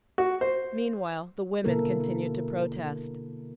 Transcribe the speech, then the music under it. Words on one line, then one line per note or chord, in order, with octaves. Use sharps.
Meanwhile the women continued to protest.
F#4
C5
B2 D3 A#3 E4 A4 A#4